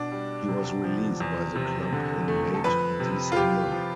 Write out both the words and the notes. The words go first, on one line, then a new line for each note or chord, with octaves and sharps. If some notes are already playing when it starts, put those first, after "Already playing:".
He was released by the club in late December.
Already playing: B2 D4
G3
C3
F3
E2
C3
D3
A3
A4
F2 B4
C3
F4
C3 G4
F3